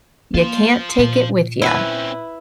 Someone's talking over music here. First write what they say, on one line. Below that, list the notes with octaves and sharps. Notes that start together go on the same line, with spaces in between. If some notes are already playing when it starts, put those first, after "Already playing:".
"You can't take it with ya.
A#3 F4 C5
A#2
C4 C#4 E4 B4